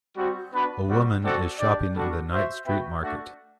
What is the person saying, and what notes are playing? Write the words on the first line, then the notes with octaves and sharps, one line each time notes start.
A woman is shopping in the night street market.
G3 C4 F#4
B3 D4 F#4 B4
G3 C4 F#4
C4 F#4 A4 D5 F#5
D4 G4 D5
G3 D4 F#4 A4
F#4 C5 E5
B3 F#4 B4 E5 G5
A3 D4 F#4